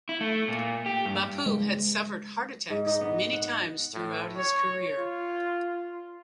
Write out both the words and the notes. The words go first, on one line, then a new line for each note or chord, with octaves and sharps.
Bapu had suffered heart attacks many times throughout his career.
E4
A3
A#2
G4
G2
G#3
G#2
D#4
B3
F#5
A2
C#5
F4